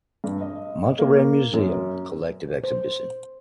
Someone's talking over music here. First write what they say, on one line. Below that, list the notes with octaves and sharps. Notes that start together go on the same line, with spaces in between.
Monterrey Museum, collective exhibition.
G2
D#5
A#3
F#2
C5